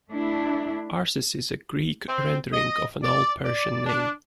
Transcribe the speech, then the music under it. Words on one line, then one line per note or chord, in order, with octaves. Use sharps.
Arses is a Greek rendering of an old Persian name.
A3 D4 E4
C4
D#5
D5
D5
D4